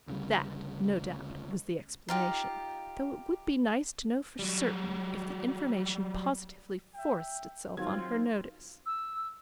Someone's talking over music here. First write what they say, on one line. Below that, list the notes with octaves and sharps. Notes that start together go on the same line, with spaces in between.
That, no doubt, was the explanation, though it would be nice to know for certain, if the information positively forced itself on her notice. . . .
D2 C#3 G3
D#4 F4 G4
F#3 G3
E5 G5
D#3 F#3 C4 F4 G#6
E6